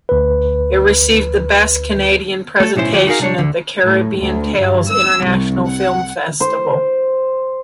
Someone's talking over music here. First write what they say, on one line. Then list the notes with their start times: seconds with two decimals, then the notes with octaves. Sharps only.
It received the Best Canadian Presentation at the Caribbean Tales international Film Festival.
0.09 D2 B4
2.60 A3 A4
2.76 B1 A2 C#4 E4 C5
2.92 D2 F3 F#4 G4
3.07 D#4 F#4 G#4 A#4 F5
3.19 C3 G3 D4 C#5
3.38 D2 D3
3.82 A2
4.15 D2
4.56 G2
4.89 E6
5.23 C2
5.67 F#5
6.40 C5